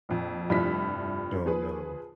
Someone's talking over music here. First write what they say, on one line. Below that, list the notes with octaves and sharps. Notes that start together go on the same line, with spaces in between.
Oh, no.
A#1 F2
F1 G2 F3 E4 B6
F3 G#4 B4